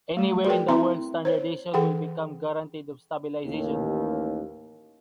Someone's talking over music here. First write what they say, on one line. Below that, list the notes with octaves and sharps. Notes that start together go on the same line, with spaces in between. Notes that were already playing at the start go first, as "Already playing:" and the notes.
Anywhere in the world standardization will become guaranteed of stabilization.
G3 A3
F#4 G#4 A#4 B4 D5 G5
C4 E4 E5 A#5 C6
C5 C#5
E3 G#4 A4 F#5 G5
A1 D#2